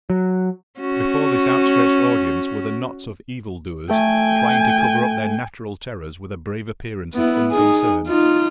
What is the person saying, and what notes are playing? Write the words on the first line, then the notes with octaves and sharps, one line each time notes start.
Before this outstretched audience were the knots of evil-doers, trying to cover up their natural terrors with a brave appearance of unconcern.
F#3
C#4 F#4
A3 A4 G5 G#5
B3 E4
D#4 G#4
D#4 F4